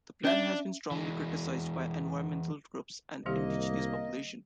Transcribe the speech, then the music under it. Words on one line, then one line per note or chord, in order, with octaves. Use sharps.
The plan has been strongly criticized by environmental groups and indigenous populations.
C#4 D4 E5
E3 G#3
C2 D#3 G3 A#3 G4 D#5